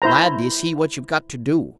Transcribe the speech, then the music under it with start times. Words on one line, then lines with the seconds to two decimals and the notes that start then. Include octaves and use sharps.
"Lad, d'ye see what you've got to do?"
0.02 E4 C5 A#5